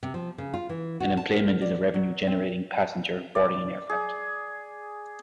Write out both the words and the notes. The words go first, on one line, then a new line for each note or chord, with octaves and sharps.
An enplanement is a revenue generating passenger boarding an aircraft.
C3
F3
C#3
F4
E3
F#4
A5
A#4
D5
F#3
C4
D5
G#4